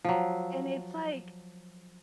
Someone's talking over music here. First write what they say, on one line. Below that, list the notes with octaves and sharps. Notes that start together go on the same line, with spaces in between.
and it's like,
F3 F#3